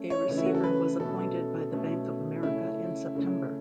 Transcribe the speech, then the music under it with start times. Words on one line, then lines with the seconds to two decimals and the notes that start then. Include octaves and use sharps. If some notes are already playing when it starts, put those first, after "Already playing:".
A receiver was appointed by the Bank of America in September.
Already playing: A3 C#4
0.10 C#5
0.28 C#3 E3 A3 C#4
0.37 E4
0.46 F#4
0.55 A4
0.64 B4
1.00 B2 A3 C#4 A4
1.71 B2 A3 C#4
2.43 C#3 A3 C#4 E4
3.15 C#3 A3 C#4